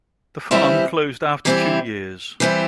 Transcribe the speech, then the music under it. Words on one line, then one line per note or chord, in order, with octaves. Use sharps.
The farm closed after two years.
E3 G3 C4 E4 G4
E3 G3 C4 E4 G4
E3 G3 C4 E4 G4